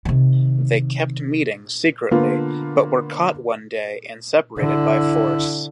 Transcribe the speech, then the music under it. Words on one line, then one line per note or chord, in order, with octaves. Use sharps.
They kept meeting secretly but were caught one day and separated by force.
C3 D#3
D3 A#3 B3 F4
D3 E4